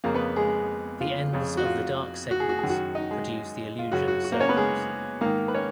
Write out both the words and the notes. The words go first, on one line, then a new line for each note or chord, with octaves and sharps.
The ends of the dark segments produce the illusion of circles.
F2 C#3 A#3 A#4
B3 B4
G#3 G#4
F4
F2 C#3
F#4
F4
F#4
G#4
F#4
G#4
F#2 D#3
F#4
D#4 D#5
G#3 G#4
F4
F#2 C#3 F#4
F#4
F#4
A#3 A#4
C#4 C#5
B3 B4
G#3 G#4
G#2 D#3 A#3 A#4
B4
C#4 C#5